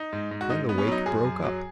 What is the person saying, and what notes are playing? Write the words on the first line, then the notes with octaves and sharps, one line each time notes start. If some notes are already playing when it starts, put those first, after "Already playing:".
Then the wake broke up.
Already playing: D#4
G#2
G#2
F#4
G#2 D#4
B3
C#4
F#3 D#4
F#2 G#4
F#2
F#3